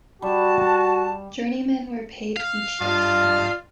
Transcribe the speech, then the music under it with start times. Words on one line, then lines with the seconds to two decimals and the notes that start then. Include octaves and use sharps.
Journeymen were paid each day.
0.22 G3 F#4 A5
2.36 F5
2.81 G2 F4 D5 D#5 A5